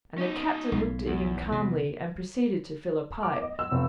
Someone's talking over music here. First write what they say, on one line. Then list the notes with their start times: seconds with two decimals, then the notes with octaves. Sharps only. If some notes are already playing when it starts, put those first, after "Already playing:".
And the captain looked at him calmly and proceeded to fill a pipe.
0.18 C#4 D#4
0.72 B1 A2
1.07 E2
1.52 C3
3.23 D6
3.42 D#5
3.59 E6
3.71 F1